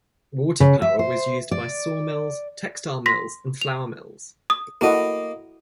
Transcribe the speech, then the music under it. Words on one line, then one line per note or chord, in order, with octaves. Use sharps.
Water power was used by sawmills, textile mills, and flour mills.
C#3
E5
C5
D5
C6 A#6 B6
F7
D#6
A#3 E4 F#4 A4 D#5